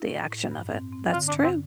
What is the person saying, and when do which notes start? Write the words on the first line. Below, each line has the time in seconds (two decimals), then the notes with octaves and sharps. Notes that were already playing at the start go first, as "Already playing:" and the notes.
The action of it. That's true.
Already playing: E4
0.09 A2
0.30 A2
0.51 G2
0.72 C4
0.93 C4
1.13 D3 F4
1.28 D4
1.33 G2
1.44 C4